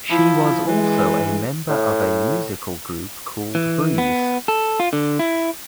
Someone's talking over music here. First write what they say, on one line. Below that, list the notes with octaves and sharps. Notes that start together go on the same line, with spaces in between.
She was also a member of a musical group called Breeze.
F3 E4
E3 G#3
A2
E3
B3
A4
F4
D3
E4